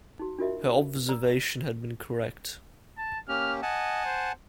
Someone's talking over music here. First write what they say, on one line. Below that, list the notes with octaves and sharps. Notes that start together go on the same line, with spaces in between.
Her observation had been correct.
D#4 F#4
D4 F4 F#4 A#4 D#5 E5
D5 A#5 E6
A5
A#3 C#4 G4 F6
D#5 F#5 G#5 A5
C5